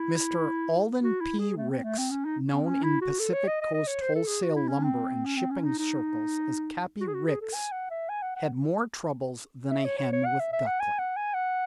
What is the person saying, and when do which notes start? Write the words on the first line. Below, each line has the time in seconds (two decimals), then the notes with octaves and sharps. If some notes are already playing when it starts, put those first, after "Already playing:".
Mr. Alden P. Ricks, known in Pacific Coast wholesale lumber and shipping circles as Cappy Ricks, had more troubles than a hen with ducklings.
Already playing: E4
1.03 F#4
1.21 E4
1.39 G#4
1.57 A3
1.70 C4
1.84 A3
1.98 C4
2.11 C#4
2.25 D#4
2.52 C4
2.65 C#4
2.84 E4
3.01 F#4
3.20 A4
3.33 C#5
3.48 D#5
3.61 D#5
3.74 D#5
3.87 C#5
4.02 C5
4.15 A4
4.28 G#4
4.42 F#4
4.55 E4
4.69 C#4
4.83 C4
5.25 C#4
5.37 C4
5.51 C#4
5.65 D#4
5.78 D#4
7.00 F#4
7.07 G#4
7.14 F#4
7.27 G#4
7.41 A4
7.54 G#5
7.72 F#5
7.90 E5
8.09 G#5
8.22 F#5
8.36 F#5
9.71 E5
9.85 C#5
9.98 C#5
10.13 C#5
10.26 F#5
10.40 E5
10.53 E5
10.67 F#5
10.80 G#5
10.99 F#5
11.17 G#5
11.34 F#5